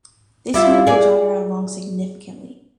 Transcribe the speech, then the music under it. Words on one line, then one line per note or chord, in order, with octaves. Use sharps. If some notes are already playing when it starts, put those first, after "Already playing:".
This moved the genre along significantly.
G3 E4 F4
G#4 D5